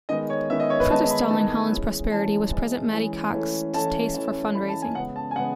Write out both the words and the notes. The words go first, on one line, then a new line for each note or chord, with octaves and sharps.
Further stalling Hollins' prosperity was President Matty Cocke's distaste for fundraising.
D#3 G#3 B3 D#5
C#5
D#3 G#3 B3 E5
D#5
C#5
B4
D#3 G#3 B3 A5
B5
D#3 G#3 B3 A5
E3 G#3 C#4
E3 G#3 C#4 A5
E3 G#3 C#4
E3 G#3 C#4
E3 A3 C#4
E3 A3 C#4 A5
E3 A3 C#4
E3 A3 C#4 B5
A5
G#5
C#3 G#3 B3 F#5
A5
G#5
C#3 G#3 B3 F#5